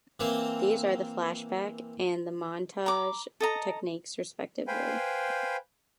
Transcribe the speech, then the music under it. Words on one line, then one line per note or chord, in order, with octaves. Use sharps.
These are the flashback and the montage techniques, respectively.
E3 A#3 C4
A#5 B5 D6
A4 D#5 A#5
B4 C5 F5 G5 G#5 B5